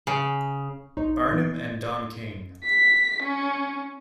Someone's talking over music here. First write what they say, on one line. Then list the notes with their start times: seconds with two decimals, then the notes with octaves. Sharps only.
Barnum and Don King.
0.07 C#3
0.97 A#1 D#4 C5 C#5
1.31 A#2 E3 B3
1.54 G6
2.64 B6
3.23 C#4